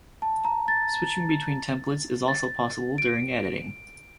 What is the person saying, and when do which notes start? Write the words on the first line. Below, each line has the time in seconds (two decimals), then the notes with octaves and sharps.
Switching between templates is also possible during editing.
0.22 A5
0.45 A#5
0.68 A6
2.28 A6
2.98 D7